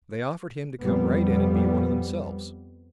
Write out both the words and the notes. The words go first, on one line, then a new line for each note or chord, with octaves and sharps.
They offered him to come right in and be one of themselves.
F2 G3 B3